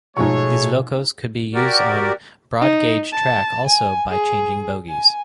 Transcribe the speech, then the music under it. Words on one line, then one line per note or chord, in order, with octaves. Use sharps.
These locos could be use on broad gauge track also by changing bogies.
G#2 B2 F3 A3 G#4 C#5 C#6
F#4 G4 A#4 D5
D#4
A5
G#5
G#4
G#5